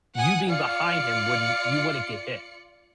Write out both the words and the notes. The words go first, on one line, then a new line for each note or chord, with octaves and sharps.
you being behind him wouldn't you wouldn't get hit,
F#5 G#5 D#6
F4 D5 F5 C#7